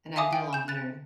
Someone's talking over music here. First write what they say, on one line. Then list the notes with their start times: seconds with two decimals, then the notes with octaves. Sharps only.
and I've done a lot better.
0.16 E5 F5 G#5 D6 D#6
0.33 G5
0.53 G6 E7
0.68 F#6 A6